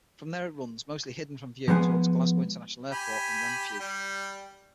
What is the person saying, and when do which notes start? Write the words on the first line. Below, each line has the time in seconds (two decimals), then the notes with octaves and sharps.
From there it runs, mostly hidden from view, towards Glasgow International Airport and Renfrew.
1.68 F3 G#3 B3 C5 F#5 G#5
2.92 G4 G#5 B5
3.80 G3